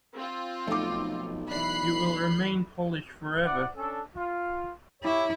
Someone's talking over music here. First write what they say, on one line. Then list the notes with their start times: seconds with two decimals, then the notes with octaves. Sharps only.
You will remain Polish forever.
0.14 C4 F4
0.67 B1 F3 A3 D#4 D6
1.51 E3 D4 B5 F#6 C7
3.45 E4 D5 F#5
3.77 C#4 D4 A4
4.16 F4
5.03 E4 G4 C#5